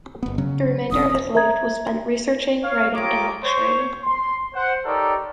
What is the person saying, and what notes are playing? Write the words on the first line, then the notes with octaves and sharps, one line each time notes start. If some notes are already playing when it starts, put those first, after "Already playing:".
The remainder of his life was spent researching, writing, and lecturing.
F#1 B3
C#3 F#3 C#4
E1 C4 C#4 D#6
A#4 E5 A#5 G#6
C#5 F5
F4 G4 C#5 D#5 A#5 D6
C5 C#5
C6
C5 F#5
D#4 G4 A4 A#4 C#5 D5